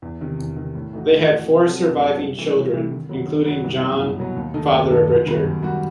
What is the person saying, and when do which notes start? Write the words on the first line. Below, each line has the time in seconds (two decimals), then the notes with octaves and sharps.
They had four surviving children, including John, father of Richard.
0.02 E2
0.21 C3 D#3
0.39 E2
0.56 C3 D#3
0.75 A2
0.93 E3 A3 D#4 F#4
1.11 A2
1.29 E3 A3 D#4 F#4
1.47 C3
1.65 F#3 C4 F#4 A4
1.83 C3
2.01 F#3 C4 F#4 A4
2.19 C2
2.38 C3 E3 A3
2.55 C2
2.74 C3 E3 A3
2.91 D#3
3.09 F#3 B3
3.27 D#3
3.45 F#3 B3
3.64 C2
3.81 B2 F#3 B3
4.00 C2
4.18 B2 F#3 B3
4.36 D#2
4.54 D#3 A3 D#4 A4
4.72 D#2
4.90 D#3 A3 D#4 A4
5.08 F#2
5.26 D#3 G3 B3 F#4
5.44 F#2
5.62 D#3 G3 B3 F#4